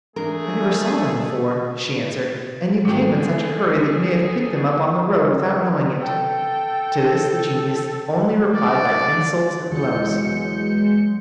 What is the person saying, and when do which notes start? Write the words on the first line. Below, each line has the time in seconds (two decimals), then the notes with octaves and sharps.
"I never saw them before," she answered, "and you came in such a hurry that you may have picked them up on the road without knowing it." To this the genius only replied by insults and blows.
0.16 E3 A3 D4 G#4 A#4 D5
2.85 G#2 D#3 F#3 C4 F#4 G#4 A4
6.01 A4 G5
8.55 D5
9.70 E2 F#3 G#3 G6 C#7